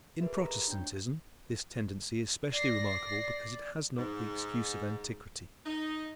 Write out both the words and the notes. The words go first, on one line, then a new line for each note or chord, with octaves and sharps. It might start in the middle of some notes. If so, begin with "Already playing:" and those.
In Protestantism this tendency is specially remarkable because it has not the excuse of antiquity.
F#4 G#4 A#4 B4 E5
G4 D#5 A#5 B5
D4 C#5 G5 G6
D5 A#6 C7
G#2
D#4